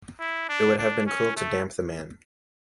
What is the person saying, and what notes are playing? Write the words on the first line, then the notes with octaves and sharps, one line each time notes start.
It would have been cruel to damp the man.
E4
D4
D4
C#4
A3